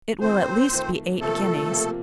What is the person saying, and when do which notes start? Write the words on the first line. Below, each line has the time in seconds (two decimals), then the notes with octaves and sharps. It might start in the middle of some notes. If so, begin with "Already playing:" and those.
It will at least be eight guineas.
0.20 F2 D#3 A3 C4 C5
0.71 F2 D#3 A3
1.20 C3 F3 A3 A#3 A4
1.70 C3 F3 A#3